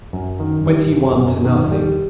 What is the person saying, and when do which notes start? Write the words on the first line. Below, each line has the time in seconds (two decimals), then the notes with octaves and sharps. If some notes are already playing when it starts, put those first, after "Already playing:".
"Twenty-one to nothing."
0.13 F#2
0.40 D#3
0.66 G3
0.92 F#2
1.18 F#2
1.45 D#3
1.71 G3